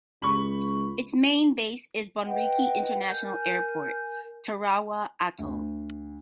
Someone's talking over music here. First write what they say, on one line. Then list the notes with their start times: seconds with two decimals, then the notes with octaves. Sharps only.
Its main base is Bonriki International Airport, Tarawa Atoll.
0.22 C#2 B5 C#6
2.26 B4 D#5 F#5 G5
3.07 A#4 G#5 G6
5.39 D2